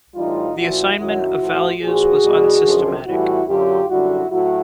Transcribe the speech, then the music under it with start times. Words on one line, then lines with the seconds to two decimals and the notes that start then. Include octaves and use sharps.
The assignment of values was unsystematic.
0.15 A2 E3 G3 D#4 F4
0.57 A#2 F3 E4 F#4
0.98 F#2 D#3 F#3 E4 F#4
1.40 A2 F3
1.81 A#2 F3 F#4 G#4
2.23 E2 B2 G3
2.64 F#2 D3 F3
3.06 A2 E3 G3 E4 F#4
3.47 F#2 D3 F#3 F4 G4
3.89 F#2 D3 G3 E4 F#4
4.30 A2 F#3 E4 F#4